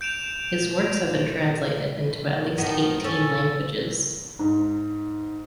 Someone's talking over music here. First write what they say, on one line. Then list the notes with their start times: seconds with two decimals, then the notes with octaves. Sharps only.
His works have been translated into at least eighteen languages.
0.01 G6 D7 E7 F7
2.58 D#3 F3 B3
3.04 C#4 A4
4.39 G#2